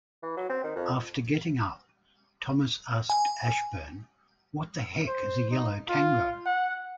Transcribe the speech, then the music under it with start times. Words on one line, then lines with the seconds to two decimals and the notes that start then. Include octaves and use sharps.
After getting up Thomas asked Ashburn, What the heck is a Yellow Tango?
0.23 E3
0.37 F#3
0.49 C4
0.64 D#3
0.76 F2
3.10 G#5
5.07 C5
5.51 D#4
5.89 F4
6.46 F#5